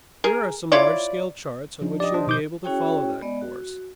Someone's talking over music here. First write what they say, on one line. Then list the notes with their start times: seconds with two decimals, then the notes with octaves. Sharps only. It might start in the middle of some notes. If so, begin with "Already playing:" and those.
Here are some large-scale charts on which you'll be able to follow that course.
0.24 G#4 A#4
0.72 E4 F4 C#5 D5
1.81 F3 D4 D#4
2.00 G4 D5 D#5
2.14 D4 C5
2.27 B2 D6 G6
2.64 C#4 E4 F#4 G#4 C#5 G5
3.22 G#3 B3 D5 D#5
3.41 F#4